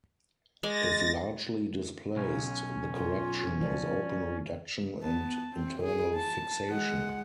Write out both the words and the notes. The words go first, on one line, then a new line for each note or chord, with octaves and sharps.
If largely displaced, the correction is open reduction and internal fixation.
G#3 G#5 D6 A6 A#6
B1 C#4
F4
F3 D5
B3 A5
C4
G#4
A5
G#3 F#5